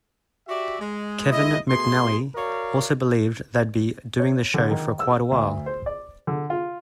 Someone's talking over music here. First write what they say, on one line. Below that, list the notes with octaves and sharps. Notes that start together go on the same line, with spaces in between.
Kevin McNally also believed they'd be doing the show for quite a while.
F#4 G4 D5 E5
G#3
G#3 E4 D#5
B2 A3 G#4 C6
F#4 A#4 C#5 D5 F5
C#5
D3
D#3
E6
D2
C5
D5
D3
F4